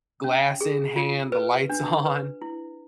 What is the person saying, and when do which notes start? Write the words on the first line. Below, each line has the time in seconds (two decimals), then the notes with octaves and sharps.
glass in hand, the lights on?
0.24 C#4
0.61 G#4
0.96 F4
1.32 B4
1.70 D4
2.05 B4
2.42 E4